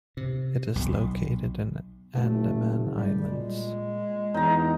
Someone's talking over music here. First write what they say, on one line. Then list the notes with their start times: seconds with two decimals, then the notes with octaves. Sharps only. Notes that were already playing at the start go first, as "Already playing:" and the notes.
It is located in the Andaman Islands.
0.17 C3
0.76 B1
2.15 F#1 A3
2.96 G3
3.28 A#2 G#3
4.34 E2 D#4 A#5